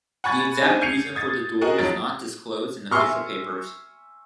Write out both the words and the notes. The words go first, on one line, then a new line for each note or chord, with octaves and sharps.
The exact reason for the duel was not disclosed in official papers.
F#5 G#5 B5 C#6 G#6 A6
C4 D4 D#4 G#5
G6 G#6 C7 C#7 D#7 F7
D#6 G#6 A6
F#4 G#4 A#4 D#5 F#5
F2 F#3 A6 D7
E5 G#5 C6 C#6 F6